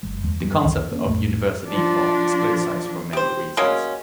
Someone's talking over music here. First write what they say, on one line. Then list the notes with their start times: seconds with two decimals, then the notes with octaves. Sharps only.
The concept of universal default is criticized for many reasons.
0.03 F#1 G#3
0.24 E2 G#3
0.41 G2 G3 G#3 B3
0.64 C2 F2 D#3
0.92 A#3 C#4
1.06 B1 F2 A2 A3
1.69 F3 D4
3.13 G4 C5
3.57 F#3 G#3 A#3 C#4